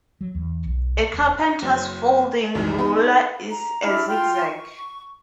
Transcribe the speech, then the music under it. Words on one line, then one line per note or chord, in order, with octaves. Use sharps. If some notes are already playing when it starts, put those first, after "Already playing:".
A carpenter's folding ruler is a zigzag.
F#3
E2
B1
E1
F#1 F#3
C2 F#2 D#3 E3 G3
B3 D#4 E4 B5
A#5
D4 E4 B5 F6
F4 G5 C6 F6
C#6